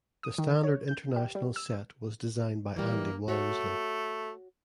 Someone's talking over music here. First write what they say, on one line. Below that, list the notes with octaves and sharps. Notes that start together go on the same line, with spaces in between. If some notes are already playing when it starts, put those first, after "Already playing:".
The standard international set was designed by Andy Walmsley.
D#6
D#3
C#5
G6
G4
G3
E6
E3 G3 A#3
A3 F#4 C#5